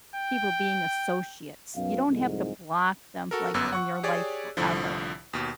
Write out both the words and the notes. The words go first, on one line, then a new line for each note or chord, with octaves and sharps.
people being associates. You don't have to block them, like, from your life forever.
G5
B1 F#2 B2 F5
C2 F2 G#2
F#4 A4 A#4
G1 F#2 B3 E6 F#6
F#5 C#6
G4 G#4 C#5 D5
C2 A2 D3 F3
D#2 B2